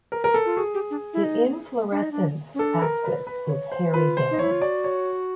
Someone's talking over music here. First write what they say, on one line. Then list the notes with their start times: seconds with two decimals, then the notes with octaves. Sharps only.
The inflorescence axis is hairy down.
0.12 A#4
0.24 A#4
0.34 A4
0.46 F4
0.57 F#4 G#4
0.74 G4
0.90 D4
1.14 E4
1.24 D#4
1.91 D4
2.02 D#4
2.12 D4
2.54 C#4
2.59 D4 A4
2.82 A#4
3.04 B4
3.27 B4
3.49 C#5
3.72 C5
3.94 F4 B4
4.17 C5
4.31 D#4
4.39 E4 C#5
4.51 F4
4.62 F#4 D5
4.84 C#5